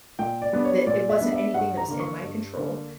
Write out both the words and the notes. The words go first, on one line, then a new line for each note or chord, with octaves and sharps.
that it wasn't anything that was in my control,
A#2 G5
D5
G3 B3 D4
C#5
A#2 D5
E5
G3 B3 D4
E5
G2 F#5
A#5
D3 A#3
C#6
G2
D3 A#3